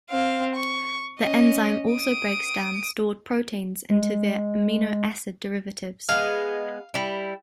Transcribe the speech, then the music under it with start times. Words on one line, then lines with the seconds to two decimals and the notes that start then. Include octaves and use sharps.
The enzyme also breaks down stored proteins into their amino acid derivatives.
0.10 C4 F5
0.55 C#6
1.20 C#4 D#5
1.93 D#6 D7
3.90 G#3
6.09 G#3 B3 F5
6.94 G3 E4